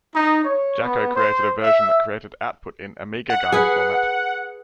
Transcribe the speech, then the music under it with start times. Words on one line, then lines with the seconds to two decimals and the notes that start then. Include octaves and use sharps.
Jacco created a version that created output in Amigaguide format.
0.15 D#4
0.45 C#5
0.81 B3
1.15 C5
1.62 E5
3.30 F#5
3.52 G#4 B4